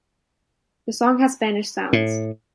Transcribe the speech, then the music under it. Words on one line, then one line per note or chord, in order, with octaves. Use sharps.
The song has Spanish sounds.
A2